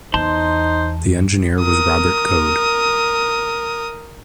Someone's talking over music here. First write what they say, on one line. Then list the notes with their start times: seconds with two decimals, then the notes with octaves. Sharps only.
The engineer was Robert Coad.
0.14 E2 D#4 C5 A5 C6
1.61 A#4 D#6